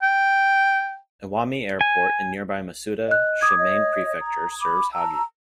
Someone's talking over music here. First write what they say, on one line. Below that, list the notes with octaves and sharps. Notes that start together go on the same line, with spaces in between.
Iwami Airport in nearby Masuda, Shimane Prefecture serves Hagi.
G5
G#5
D#5 F#6
D6 D#6 G#6
C#5 D#5
A#5
B5 D6
A5 A#5 E6